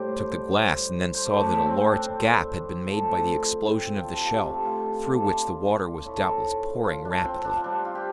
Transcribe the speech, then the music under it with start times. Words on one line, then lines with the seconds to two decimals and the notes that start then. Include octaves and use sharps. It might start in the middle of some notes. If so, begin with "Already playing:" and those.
I took the glass, and then saw that a large gap had been made by the explosion of the shell, through which the water was doubtless pouring rapidly.
Already playing: A2 G3 C5 D5
1.15 C5
1.25 A2 A3 D5
1.46 D4
1.66 C4
1.81 C4 D4
2.85 D3 F3 A3
3.65 C4
3.85 C4
4.00 D4 F4
4.17 G4
4.25 F4
4.37 A4
4.45 C3 A3 G4
4.66 F4
4.86 D4
5.05 D4
5.24 D4
6.05 A2 A3
6.84 F4
7.05 D4
7.24 C4
7.45 D4
7.56 F4
7.64 C3 G3 D4
7.85 F4
7.95 G4